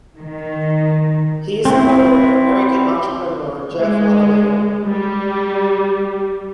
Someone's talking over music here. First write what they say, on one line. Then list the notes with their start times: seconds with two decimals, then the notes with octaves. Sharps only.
He is the brother of American entrepreneur Jeff Wellemeyer.
0.18 D#3
1.65 C4 E4
3.81 G#3
4.86 G3